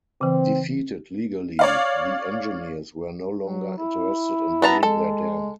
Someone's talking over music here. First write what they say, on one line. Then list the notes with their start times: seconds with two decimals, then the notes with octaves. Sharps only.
Defeated legally, the engineers were no longer interested in building their dam.
0.21 C#3 E3 C4
1.59 C#5 D5 F5
3.40 F#3
3.78 E4
4.62 B3 A5 A#5
4.83 G#3 A4